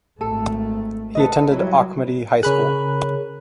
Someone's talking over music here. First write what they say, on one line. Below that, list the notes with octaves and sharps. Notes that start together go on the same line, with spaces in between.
He attended Auchmuty High School.
G#1 A3 A4
A4 B4 D#5
F#3 G3 E4 B4
C#3 G#4 A#4 C#5 B5 F#6